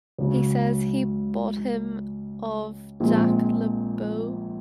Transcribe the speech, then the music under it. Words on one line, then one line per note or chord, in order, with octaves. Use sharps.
He says he bought him of Jacques Le Beau.
C#2 C#3 F#3
A#1 A#2 F3 G#3 C4